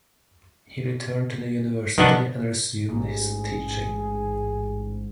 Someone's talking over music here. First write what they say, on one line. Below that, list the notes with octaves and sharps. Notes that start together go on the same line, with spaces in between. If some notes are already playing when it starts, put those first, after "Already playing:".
He returned to the university and resumed his teaching.
C3 D#3 F3 F#3 B3 D4
A1 G#2 G#4